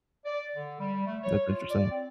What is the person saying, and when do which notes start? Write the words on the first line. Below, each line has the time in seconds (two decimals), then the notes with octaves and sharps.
That's interesting.
0.25 D5
0.55 D3
0.79 G3
1.06 A3
1.23 C#5
1.48 F4
1.69 D5
1.91 C4